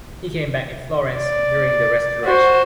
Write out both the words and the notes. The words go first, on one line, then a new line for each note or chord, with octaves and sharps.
He came back in Florence during the Restoration.
D5
F#4 C5